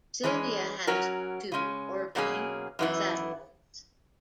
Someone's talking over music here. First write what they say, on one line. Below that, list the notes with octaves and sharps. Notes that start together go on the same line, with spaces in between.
Sylvia has two orbiting satellites.
E3 G#3 C#4
F#3 C#4 F#4 A#4
C#3 G#3 C#4
B2 F#3 A#3 C#4 G#4
F#2 E3 B3 E4